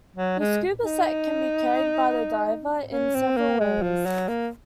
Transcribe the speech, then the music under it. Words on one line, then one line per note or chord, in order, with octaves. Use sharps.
The scuba set can be carried by the diver in several ways.
F#3
G#3
D#4
C#4
C4
A#3
G#3
F3
F#3
A#3